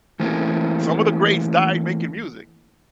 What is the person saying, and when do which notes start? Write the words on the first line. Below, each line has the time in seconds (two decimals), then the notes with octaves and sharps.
some of the greats died making music,
0.20 E3 A3 A#3 C4 C#4 E4